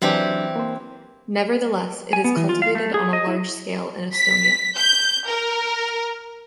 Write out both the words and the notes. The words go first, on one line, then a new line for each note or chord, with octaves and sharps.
Nevertheless, it is cultivated on a large scale in Estonia.
E3 F#3 C4 D4 G4
A#3 C5
G#5
B3
E3
F4
F5
A3
G#4
D#5
E4
B6
G6
A#4